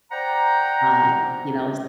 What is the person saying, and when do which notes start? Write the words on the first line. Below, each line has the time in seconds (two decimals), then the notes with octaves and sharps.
uh, you know? S
0.12 C5 D5 F#5 G5 A#5